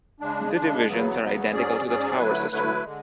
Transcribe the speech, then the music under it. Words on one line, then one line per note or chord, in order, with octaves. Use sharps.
The divisions are identical to the tower system.
C#3 G#3 D4
C#3 G#3 D4
E2 C#3 F#3 B3
E2 C#3 F#3 B3
G#2 F#3 C#4 G#4 D5
G#2 F#3 C#4 G#4 D5
D3 F#3 A3 E4 B4
D3 F#3 A3 E4 B4
D3 G#3